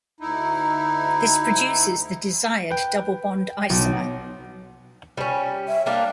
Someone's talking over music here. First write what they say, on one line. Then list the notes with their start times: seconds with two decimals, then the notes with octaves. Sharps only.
This produces the desired double bond isomer.
0.20 D2 D#4 E4
2.71 B4 G5
3.70 B1
5.17 G3 C#4
5.68 E5
5.86 G3 A#3 D4 F5